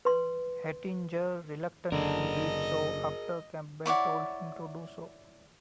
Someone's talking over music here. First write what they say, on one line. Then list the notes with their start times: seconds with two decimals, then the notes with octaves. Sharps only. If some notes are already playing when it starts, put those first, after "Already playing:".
Hettinger reluctantly did so after Campbell told him to do so.
0.05 B4 C6
1.92 F#1 D3 G#4 A#4 D#5
3.86 E4 C#5 D5 F#5